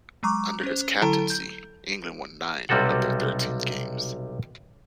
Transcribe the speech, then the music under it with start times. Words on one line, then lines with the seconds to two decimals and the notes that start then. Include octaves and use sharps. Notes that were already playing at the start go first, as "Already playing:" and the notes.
Under his captaincy England won nine of their thirteen games.
0.23 F#3 G#3 A#5 C#6 D6
0.63 C#4 C5
1.02 D3 F#3 E4 A4 A5 A#5
1.30 G6
2.69 B1 C3 G3 F#4 A4 F#5